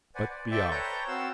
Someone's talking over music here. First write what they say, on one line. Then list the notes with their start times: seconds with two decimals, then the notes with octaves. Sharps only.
But be off!
0.15 B4 C5 D5 F#5 G#5
0.30 D5
0.51 A4 C5 D5 E5 G5 A5
0.71 B4 C#5 G5 A5 A#5 G6
1.08 C4 F#4 F5 E6